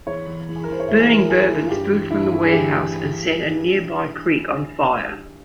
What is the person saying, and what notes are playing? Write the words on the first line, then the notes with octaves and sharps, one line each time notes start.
Burning bourbon spilled from the warehouse and set a nearby creek on fire.
E2 C#5
E3
E2
G#4
A#4
E3 C5
C#5
E2 E5
G#4
E3 A#4
E2 G#4
E3
F4
G2 G4
E3
G2 E4
E3 E4
G#4
G2 G4
E3